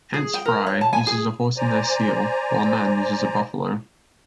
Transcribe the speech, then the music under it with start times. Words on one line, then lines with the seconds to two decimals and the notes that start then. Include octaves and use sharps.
Hence Phrae uses a horse in their seal, while Nan uses a buffalo.
0.14 G#4
0.34 G5
0.45 A#4
0.67 C#5
0.81 A5
0.93 G#5
1.07 G#4
1.57 C5 D5 G#5 A#5